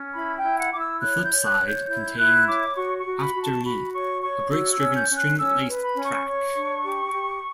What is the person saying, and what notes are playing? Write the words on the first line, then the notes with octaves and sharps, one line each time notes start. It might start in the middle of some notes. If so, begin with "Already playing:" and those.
The flipside contained "After Me", a breaks driven string-laced track.
Already playing: C#4
E4 B5
G5
E4
F#5
E4 D6
E6
C#5 F#6
G6
C#5
F#6
C#5
G6
E4 G6
E4 F#6
C#5 D6
F#4 C#6
C#6
F#4
B5
F#4
A5
F#4 B5
C#5 C#6
C#5 C#6
F#4 E6
E6
C#4
G6
C#4
F#6
C#4 E6
B4
B5
C#4
C#6
C#5
D4
G4
G4